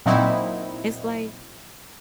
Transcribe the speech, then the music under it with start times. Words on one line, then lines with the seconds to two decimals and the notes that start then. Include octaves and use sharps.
It's, like
0.06 A#2 F#3 C4 D#4 E4